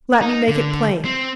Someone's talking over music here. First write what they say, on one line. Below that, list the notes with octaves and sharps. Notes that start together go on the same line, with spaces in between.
Let me make it plain.
D#4
D3
C4